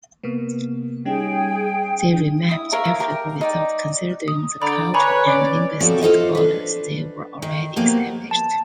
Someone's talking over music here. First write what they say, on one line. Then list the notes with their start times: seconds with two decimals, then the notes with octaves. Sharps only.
They remapped Africa without considering the cultural and linguistic borders that were already established.
0.24 C3 A#3 B3
1.05 G3 C#4 D#4 G#4 G5
2.13 D4
2.49 E4 D#6
2.72 A#4 C#5 E5 F5
3.00 G4 A#4
3.41 D#4 D5 G5
4.28 D#6
4.62 D3 D5 A#5 B5
4.94 B4 C#5 G#5 A#5 B5
5.27 C#4 D5
5.80 B2 F3 A3 C4 F#4 A4
6.01 F4 A4 C5 D#5
6.35 D4 B4
7.42 D#3
7.76 F3 F#3 A#3 B3 G4
8.31 A5